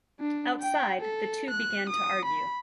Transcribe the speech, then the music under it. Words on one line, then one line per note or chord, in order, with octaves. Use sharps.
Outside, the two began to argue.
D4
G5
A4
F#6
D#6
B5